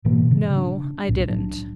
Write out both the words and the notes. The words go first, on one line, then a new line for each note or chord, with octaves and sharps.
"No, I didn't."
G#2 B2 E3 A#3
C#3
D4
C2 A2
F#3 D4